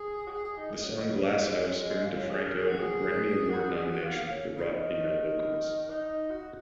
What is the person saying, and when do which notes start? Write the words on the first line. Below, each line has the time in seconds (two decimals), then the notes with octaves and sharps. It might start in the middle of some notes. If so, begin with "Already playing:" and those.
The song "Glass House" earned DiFranco a Grammy Award nomination for Rock Female Vocalist.
Already playing: G#4
0.27 F#4
0.31 G#4
0.44 G#4
0.57 D#4
0.71 G#3
0.78 D#3
0.83 F#3
0.97 D#3
1.11 C#3
1.23 D#3
1.37 G#3
1.50 G#3
1.64 C#4
1.72 F#3
1.77 G#3
1.90 G#3
2.04 A#3
2.17 C#4
2.30 G#4
2.44 A#4
2.57 G#4
2.68 F#4
2.80 G#4
3.50 F#4
3.64 G#4
3.76 G#4
3.91 F#4
4.04 A#3
4.17 A#3
4.30 C#4
4.56 C#3
4.70 D#3
5.90 D#4
6.30 F#4